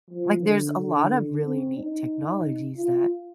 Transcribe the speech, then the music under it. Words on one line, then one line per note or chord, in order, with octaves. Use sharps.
like, there's a lot of really neat technologies that
F3
D3
D3
D3
C4
D#4
F4